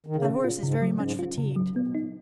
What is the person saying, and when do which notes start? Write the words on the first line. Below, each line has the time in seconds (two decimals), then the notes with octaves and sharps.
"That horse is very much fatigued."
0.06 D#3
0.16 C#3
0.25 B2 C#4
0.44 A#2 F4
0.63 G#2 C#3
0.82 F#3
0.93 A#2
1.00 G#2 C#4
1.19 F4
1.38 F#2 C#3
1.47 A#2
1.56 G#2 F#3
1.76 A#2 B3
1.87 B2
1.94 D#4
2.00 A#2